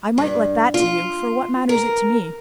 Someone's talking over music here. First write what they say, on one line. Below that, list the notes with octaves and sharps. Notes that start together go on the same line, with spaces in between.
I might let that to you, for what matters it to me?
G2
F4
A#4